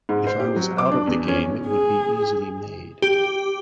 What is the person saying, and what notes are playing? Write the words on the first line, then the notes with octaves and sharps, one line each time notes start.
If I was out of the game it would be easily made.
G#2
C5
G4
F#3
D6
D4
E2
C#4
G#4
G4